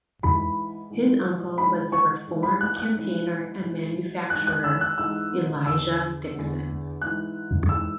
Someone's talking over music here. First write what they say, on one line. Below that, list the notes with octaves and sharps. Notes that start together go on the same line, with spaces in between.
His uncle was the reform campaigner and manufacturer Elijah Dixon.
G#2 E3 B5
G#2 E3
G#2 E3 B5
C#6
G#2 E3
B5
F#6
F#6
G#2 E3
G#2 E3
G#2 E3 F#6
F#6
E6
F#6
G#2 E3 E6
E2 D3 E6
E2 D3
G#2 E3 F#6
G#2 E3 E6